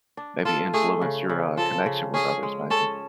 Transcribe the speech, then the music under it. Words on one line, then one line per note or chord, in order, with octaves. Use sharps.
maybe influence your, uh, connection with others maybe?
D4
F4 A4
A3 G#4
C#3
C#3
F3 A4
C#3
C#4 G#4
G#3
C#4 A4